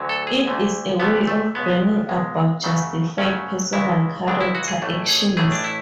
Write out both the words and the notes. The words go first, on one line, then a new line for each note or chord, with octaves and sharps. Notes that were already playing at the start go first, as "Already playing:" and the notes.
It is a way of bringing about justified, personal character actions.
Already playing: D2 D3 F#3
A4
G#4
D2 D3 A3
D2 D3 A3 B3
A3
C#2 B2 G#3 B3
C#2 B2 G#3
F#2 C#3 F#3 A3
F#2 C#3 F#3 A3 C#4
C#2 C#3 E3 G#3 E4
C#2 C#3 E3 G#3 D4
E4
F#4
G#4
A1 A2 E3 A3
G#4
A1 A2 E3 A3 G#4
D4
E4